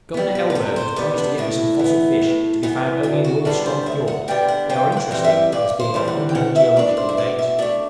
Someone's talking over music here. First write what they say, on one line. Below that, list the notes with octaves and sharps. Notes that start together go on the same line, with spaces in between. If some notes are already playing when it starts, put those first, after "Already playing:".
Governor Elberg has promised to get me some fossil fish, to be found only in North Strom Fiord: they are interesting, as being of unknown geological date.
G3 B3
G4
B4
C3 A4
C5
G3 B3 B4
D4
A2 E4
E3 B3
A2
E3 B3
D2 D4
F#4
D3 G3 B3 D4 A4
C5
D2 E5
F#5
D3 G3 B3 D4 G5
F#5
G2 G5
G5
F#5
E3 G3 C4
E5
G2 D5
C5
E3 G3 C4
F#5
G5
B2 F#5
E5
A3 D4 D5
C5
E5
B2 D5
E5
A3 D4 D5